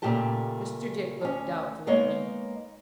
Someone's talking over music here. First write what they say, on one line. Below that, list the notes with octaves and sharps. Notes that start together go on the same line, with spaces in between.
Mr. Dick looked doubtfully at me.
A#2 C#3 A3 G4 A5
D2 C#4
G#3 A#3 B3 D#4 C#5 D#5